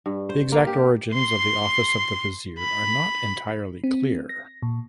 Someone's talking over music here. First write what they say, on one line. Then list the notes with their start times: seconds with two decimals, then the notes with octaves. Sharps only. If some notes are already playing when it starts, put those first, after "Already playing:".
The exact origins of the office of vizier are not entirely clear.
0.06 G2
0.29 C5
0.52 A#3
0.67 G4
1.14 C6 C7
2.59 B5
3.84 C4
4.29 A#6
4.62 A#2